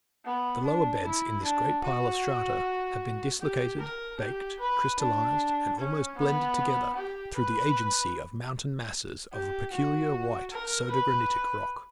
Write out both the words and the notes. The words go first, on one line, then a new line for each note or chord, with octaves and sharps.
The lower beds in this great pile of strata, have been dislocated, baked, crystallized and almost blended together, through the agency of mountain masses of a peculiar white soda-granitic rock.
B3
D4
E4
D4
F#4
G4
A#4
G4
B4
D4
C#4
B3
G4
B4
G4
F#4
A#4
B4